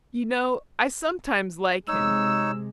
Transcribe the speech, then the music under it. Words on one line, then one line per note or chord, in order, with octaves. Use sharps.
You know, I sometimes like him.
C3 G#3 D#4 C#5 E6